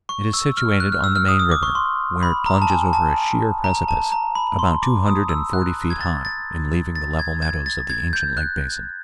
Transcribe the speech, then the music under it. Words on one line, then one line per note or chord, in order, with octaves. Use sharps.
It is situated on the main river, where it plunges over a sheer precipice, about two hundred and forty feet high, in leaving the level meadows of the ancient lake basin.
C#6
E6
F6
F#6
F6
E6
F6
D#6
D#6
D6
C#6
C6
B5
A#5
A5
G#5
A5
A#5
A5
A#5
B5
C6
D6
D#6
E6
F#6
G#6
A6
A6
A6
G#6
G#6
A6
G#6
G6
F#6